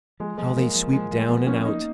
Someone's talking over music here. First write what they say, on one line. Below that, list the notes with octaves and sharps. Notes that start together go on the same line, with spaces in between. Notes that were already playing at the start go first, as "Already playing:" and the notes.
How they sweep down and out!
F3 G#3
F3 G#3
F3 A#3
F3
F3 G#3
F3 A#3
F3 B3
F3 C#4
A#3 D#4